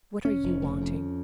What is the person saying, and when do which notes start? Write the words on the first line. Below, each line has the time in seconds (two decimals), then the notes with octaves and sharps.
"What are you wanting?"
0.25 F1 C#4
0.43 F1
0.62 F1
0.81 F2